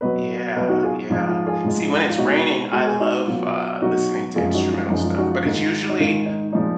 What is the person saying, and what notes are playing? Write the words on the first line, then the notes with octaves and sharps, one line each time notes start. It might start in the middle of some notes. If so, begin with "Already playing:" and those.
Yeah, yeah. See, when it's raining, I love, uh, listening to instrumental stuff. But it's usually
B2 F#3 B4 D#5
B2 F#3 B4 D#5
D#4 F#4
F4 G#4
G#2 F3 G#3 F4
F4
F4 G#4
G#2 F3 G#3
F4
B2 G#3 D#4 F#4
B2 G#3 F#4
G#4
D#4 F#4
B2 F#3 F4
B2 F#3 D#4 F#4
F#2 F3 G#3 F4 G#4
D#4 F#4
F4
F#2 F3 G#3 D#4
F4
D#4 F#4
F4
G#2 D#3 G#3
D#4
G#2 D#3 G#3 F4
D#4
A#2 F3 G#3 D#4